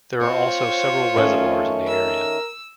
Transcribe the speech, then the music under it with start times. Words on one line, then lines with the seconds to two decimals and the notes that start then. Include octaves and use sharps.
There are also several reservoirs in the area.
0.21 C4 F4 C5 C#5
1.16 D#3 A3 C#4
1.88 A#4 E6